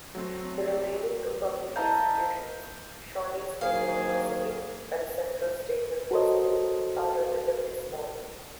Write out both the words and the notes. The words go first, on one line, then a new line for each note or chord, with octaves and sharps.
The remaining two public institutions-Shawnee State University and Central State University-are relatively small.
F#3 A3 C4
E4 D#5 F5 A5 A#5 G6
D#3 F#3 A#3 G#4 F5
F#4 A4 A#4 C5 C#5 D#5